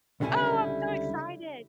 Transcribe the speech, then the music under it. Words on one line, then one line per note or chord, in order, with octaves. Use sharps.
Oh, I'm so excited.
C#2 D3 G3 C#4 E4 G#5